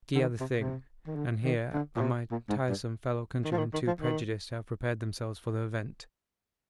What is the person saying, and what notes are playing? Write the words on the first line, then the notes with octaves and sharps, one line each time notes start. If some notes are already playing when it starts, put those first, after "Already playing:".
Ski are the thing, and here are my tiresome fellow-countrymen too prejudiced to have prepared themselves for the event.
D3
D#3
C3
C3
D#3
D3
D#3
D3
A#2
C3
A#2
G#2
G2
D#3
F3
D#3
D#3
F3
D#3